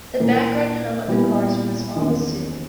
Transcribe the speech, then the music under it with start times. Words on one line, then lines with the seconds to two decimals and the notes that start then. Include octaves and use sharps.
The background hum of the cars was almost soothing.
0.20 A#2 A#3 E4
1.08 A#2 G3 B3 E4
1.96 E2 D#3 A#3 C#4